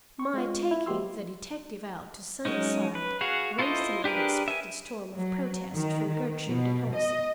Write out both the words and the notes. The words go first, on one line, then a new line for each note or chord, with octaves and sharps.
My taking the detective out to Sunnyside raised an unexpected storm of protest from Gertrude and Halsey.
C#6
G#3 F4
E4
G#3 A#3 F#4 G4 C6 E6
F#3 G#3 C#4 D#4
B4
F#4 G#4 F5
E4 F4 A4 C5 D#5
D4 G4 G#4 A#4 B4
E5 G#5
F#3
D#3
D#3
B2
D#5